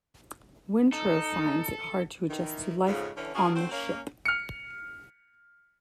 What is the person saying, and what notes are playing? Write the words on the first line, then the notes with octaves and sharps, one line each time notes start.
Wintrow finds it hard to adjust to life on the ship.
D#4 A4
D#3 E3
F2 G#2 C#3
D3 E3 C#4
C#4 D4 F4 F#4 G#4 A#4
A3 C4 F#4 C5
A#3 C#4
F6 C#7